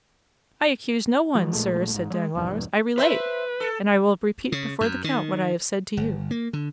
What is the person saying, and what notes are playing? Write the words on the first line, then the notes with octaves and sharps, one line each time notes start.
"I accuse no one, sir," said Danglars; "I relate, and I will repeat before the count what I have said to you."
F3 G#3
A#1 A#2 G#3 A3
G#1 G#2
F#3 G#3
D#1 B1 E2 G2
B4 C5 E5
A4
C#3
F#2
D#3
G1
A#3
D3